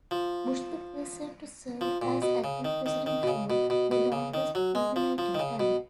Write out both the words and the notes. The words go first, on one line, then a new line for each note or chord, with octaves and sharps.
Bush the person to serve as Acting President for the longest cumulative time.
F3
F3
A#2
B2
C#3
D#3
D#3
D#3
B2
C#3
B2
B2
B2
C#3
D#3
F#3
G#3
F3
F3
D#3
C#3
B2